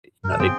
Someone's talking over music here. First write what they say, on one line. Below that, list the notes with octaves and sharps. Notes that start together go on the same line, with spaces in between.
e now they
A#4
A4
C4 G#4